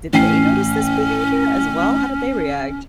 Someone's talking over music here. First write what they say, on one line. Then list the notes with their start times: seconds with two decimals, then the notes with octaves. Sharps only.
did they notice this behavior, as well? How did they react?
0.13 A1 C#4 G5 C7